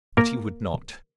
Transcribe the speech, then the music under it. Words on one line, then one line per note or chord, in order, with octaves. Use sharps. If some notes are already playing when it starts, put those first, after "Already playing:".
But he would not.
A#3 A#4